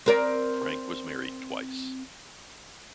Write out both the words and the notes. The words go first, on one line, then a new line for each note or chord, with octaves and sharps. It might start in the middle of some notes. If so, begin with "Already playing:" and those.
Frank was married twice.
C4 A#4 D5